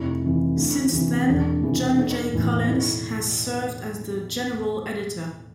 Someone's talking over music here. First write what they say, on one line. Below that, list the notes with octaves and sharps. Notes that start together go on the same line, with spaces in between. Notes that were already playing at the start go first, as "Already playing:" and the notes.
Since then John J. Collins has served as the General Editor.
Already playing: F1 E4
F2 E3
D2
C3 E3
E1 D4
E2 C3 E3
B1
A2 E3
B1 E4